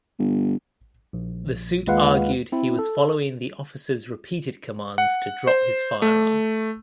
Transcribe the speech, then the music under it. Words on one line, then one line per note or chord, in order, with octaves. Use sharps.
The suit argued he was following the officers’ repeated commands to drop his firearm.
G1
A#1
D#2 G#3 F4 B4 F5 F#5
C4 E4
A4
F#5
C5
A3